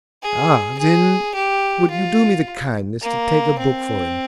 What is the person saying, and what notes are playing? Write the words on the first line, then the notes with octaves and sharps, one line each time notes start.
'Ah, then would you do me the kindness to take a book for him?
G#4
G#4
G4
F4
A#3
C4